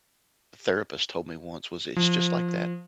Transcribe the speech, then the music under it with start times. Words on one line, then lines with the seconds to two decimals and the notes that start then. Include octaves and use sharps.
therapist told me once was it's just like that,
1.96 F3